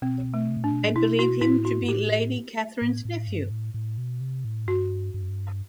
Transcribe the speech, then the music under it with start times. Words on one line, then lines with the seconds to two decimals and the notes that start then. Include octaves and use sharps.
I believe him to be Lady Catherine's nephew.
0.02 B2 C4
0.34 A3
0.49 C3
0.57 B2
0.64 A2 D4
0.72 B2
0.84 A2
0.95 B2 E4
1.19 F#4
1.41 A2 E4
1.65 F#4
1.82 G2
1.88 A2 G4
2.81 A2
3.05 A2
3.28 G2
3.51 A2
3.74 A2
3.98 B2
4.21 C3
4.45 A2
4.67 G2 F#4
5.14 G2
5.22 F#2
5.29 G2